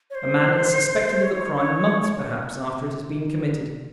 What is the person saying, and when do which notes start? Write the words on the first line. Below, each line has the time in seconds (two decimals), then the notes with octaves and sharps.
A man is suspected of a crime months perhaps after it has been committed.
0.10 C#5
0.15 C5
1.21 C#5
1.56 C#5